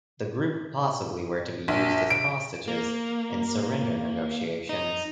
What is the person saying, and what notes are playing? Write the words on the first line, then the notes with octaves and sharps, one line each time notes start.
The group possibly were to be used as hostages in surrender negotiations.
A#1
D7
A#3
D#4